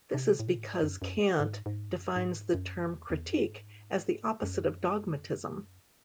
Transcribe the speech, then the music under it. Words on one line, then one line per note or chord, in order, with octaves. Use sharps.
This is because Kant defines the term critique as the opposite of dogmatism.
C3
A2
C3
A2
G#2
F#2
F#2
G#2
G#2
F#2
G#2
F#2
E2
E2
F#2
G#2
F#2